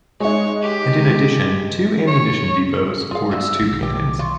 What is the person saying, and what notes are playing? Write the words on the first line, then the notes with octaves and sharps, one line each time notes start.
And in addition two ammunition depots for its two cannons.
G#3 D#4 C#5
G4
C#5
F#3 F4 G#4 F5
D3 A3 B3 E6
B1 D#3
G4 D6
F4 C#6